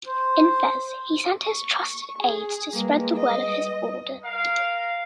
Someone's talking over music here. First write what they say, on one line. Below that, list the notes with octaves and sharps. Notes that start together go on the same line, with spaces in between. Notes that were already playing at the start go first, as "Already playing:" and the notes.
In Fez, he sent his trusted aides to spread the word of his order.
C5
C#6
G#4
G3 G#3 A#3 B4
D#5
A#4 F5